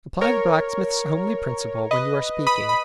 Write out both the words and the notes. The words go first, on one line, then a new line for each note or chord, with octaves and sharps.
Apply the blacksmith's homely principle when you are speaking.
A#4 C#5
B4 D#5
B5 D#6
B5